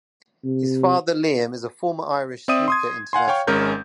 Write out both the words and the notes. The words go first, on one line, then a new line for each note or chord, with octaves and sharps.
His father Liam is a former Irish snooker international.
C3
C4 D5 E5 D#6 D#7
C6 D#6 G#6
F5 F#5 G#5 C6
C#5 F5 G5 C#6
G#1 G#3 C#4 A#4 G6